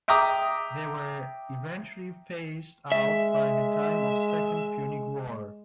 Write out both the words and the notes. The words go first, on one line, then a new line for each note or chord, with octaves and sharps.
They were eventually phased out by the time of Second Punic War.
E5 G5 A#5 D6 D#6
G#3 E5